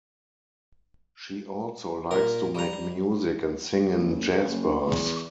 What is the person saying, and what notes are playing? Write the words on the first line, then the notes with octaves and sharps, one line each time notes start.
She also likes to make music and sing in jazz bars.
A#2 A#4
G3 A#5
F#1
C#3
F#1
E2